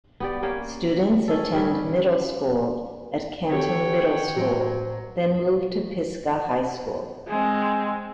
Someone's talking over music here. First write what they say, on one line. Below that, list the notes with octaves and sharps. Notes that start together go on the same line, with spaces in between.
Students attend middle school at Canton Middle School then move to Pisgah High School.
B3 G4 D5
A#3 C#4 G4 C#5
C#4 A4
C#3 G3 C#4
C3 D#3 F#4 A4 C#5 F#5 G5
A2 F#3 F#4 C5
G#3 C4